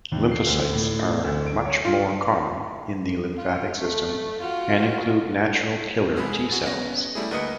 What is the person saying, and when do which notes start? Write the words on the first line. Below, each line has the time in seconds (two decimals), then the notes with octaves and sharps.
Lymphocytes are much more common in the lymphatic system, and include natural killer T-cells.
0.12 D#2
0.31 C7
0.47 D2
0.73 A2
1.24 D2
1.46 D7
1.65 C#5
1.85 F4
3.36 F4
3.78 A3
4.40 F4 F#4
6.16 C2 G#3 G#4 A4 B4 B5
6.32 G#4
6.52 F#4 G#4
6.66 B3 C#4 A#6
7.15 G3 A3 E4 G#4
7.31 D2 A#3 B4 D#5 D#6 C#7